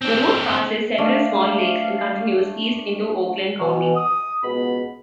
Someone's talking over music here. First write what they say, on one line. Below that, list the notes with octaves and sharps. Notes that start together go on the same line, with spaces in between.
The route passes several small lakes and continues east into Oakland County.
C4 D4
A3 D4 F5
B2 E3
D#6
C#2 B2 B3 B5